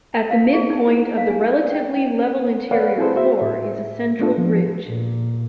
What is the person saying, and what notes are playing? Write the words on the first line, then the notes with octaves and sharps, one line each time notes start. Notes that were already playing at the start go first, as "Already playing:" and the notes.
At the midpoint of the relatively level interior floor is a central ridge.
A#4
F5
G#4
D#4
E4
F5
G#5
D5
G5
G5
B4 C#5 D5 F5 F#5
C4 E4 G#4 A4 B4 C5
F#4 C5 E5
A2 E5
A3 B3 D4 F4 A4
F3
A#2